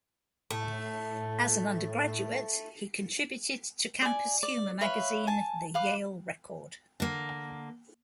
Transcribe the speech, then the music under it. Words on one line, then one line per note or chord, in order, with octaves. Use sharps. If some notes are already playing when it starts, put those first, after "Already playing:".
As an undergraduate, he contributed to campus humor magazine "The Yale Record".
A2 A3
D5 G#5
D5
B4 C#5 E5 F5
G#5 A5
B4 F5 D6
D3 A#3